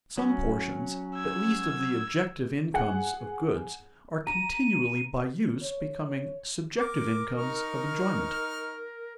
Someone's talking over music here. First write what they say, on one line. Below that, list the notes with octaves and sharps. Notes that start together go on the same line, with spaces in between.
Some portions at least of the objective incomes of goods are continually by use becoming subjective incomes of enjoyment.
F#3 C#4
E6 G#6
G#4 F#5
A#5 D#7
C#5
A#4 D6
D#4 C#6 F6